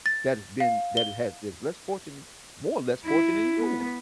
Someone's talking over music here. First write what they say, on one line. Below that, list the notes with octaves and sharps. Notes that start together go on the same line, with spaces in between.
that it's been that it has this less fortunate, more or less fortunate, than you were."
A6
F5
G7
E4
B3